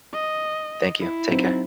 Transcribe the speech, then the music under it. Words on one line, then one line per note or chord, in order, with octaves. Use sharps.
Thank you. Take care.
D#5
E4
F#3 C4 D#4